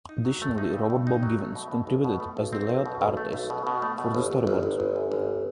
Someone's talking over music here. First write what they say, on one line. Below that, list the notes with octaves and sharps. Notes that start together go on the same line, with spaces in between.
Additionally, Robert "Bob" Givens contributed as the layout artist for the storyboards.
D#4
F#3
A3
D#4
G2
G2
D#4
F#3
A3
B2
B2
B1
B2
A3
B1
C4
B1
B2
B1
A3
B1
B2
B2
A3
B2
G1
G1
G1
G1
G1
F#2
G1